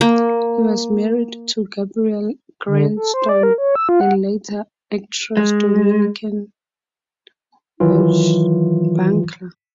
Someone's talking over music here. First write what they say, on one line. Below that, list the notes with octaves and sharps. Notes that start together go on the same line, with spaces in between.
He was married to Gilberte Graillot, and later actress Dominique Blanchar.
A#3
D3
A4
C5
D5
A#4
C#5
E6
F4
F#5
G#3
D#3 E3 F#3 F4